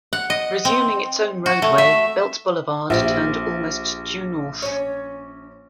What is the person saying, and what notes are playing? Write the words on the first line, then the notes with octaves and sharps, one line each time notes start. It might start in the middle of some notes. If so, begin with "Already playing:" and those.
Resuming its own roadway, Belt Boulevard turned almost due north.
F#5
D#5
C4
F#4
A3
E5
A#1 G4 B4 E5
C#4 C#5